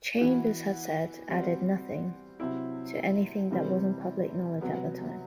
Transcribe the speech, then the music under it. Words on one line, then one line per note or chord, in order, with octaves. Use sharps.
Chambers had said added nothing to anything that wasn't public knowledge at the time.
E3 B3 F#4
G3 C4 F#4
C3 F#3 C4 E4
C3 E3 G3 C4
C3 F#3 B3